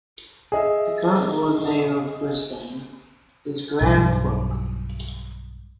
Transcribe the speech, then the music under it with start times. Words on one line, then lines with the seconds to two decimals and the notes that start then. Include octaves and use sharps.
The current Lord Mayor of Brisbane is Graham Quirk.
0.52 G#4 D#5 E5
3.81 B1 G2